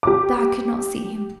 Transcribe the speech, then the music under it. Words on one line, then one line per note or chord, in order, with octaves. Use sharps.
But I could not see him.
G4 D6